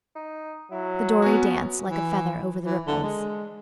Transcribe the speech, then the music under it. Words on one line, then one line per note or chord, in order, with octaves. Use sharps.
The dory danced like a feather over the ripples.
D#4
F#3 E4
B3 C#4 F#4
E3
E3
D3
G#3